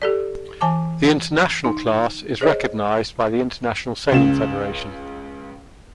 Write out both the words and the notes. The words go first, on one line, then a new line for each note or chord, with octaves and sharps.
The International Class is recognised by the International Sailing Federation.
G4 A4 D5
E3 G#5 A5 D6
D#4
G#4 C5 C#5 D#5
C#2 C#3 E7